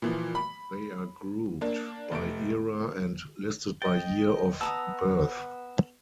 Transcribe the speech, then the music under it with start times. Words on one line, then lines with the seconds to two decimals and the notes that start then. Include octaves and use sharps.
They are grouped by era and listed by year of birth.
0.02 A#2 E3 F3
0.35 B5
1.61 A#3 D4
2.11 F1 A3 D7
3.82 D#5 G5 A6
4.61 B3 A5 A#5 D#6 E6